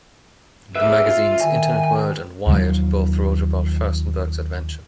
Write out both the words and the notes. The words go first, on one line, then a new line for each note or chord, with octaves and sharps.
The magazines "Internet World" and "Wired" both wrote about Firstenberg's adventure.
G#4 B4 E5
F4
D#3 G#5
D#2 D#3 F3 F#3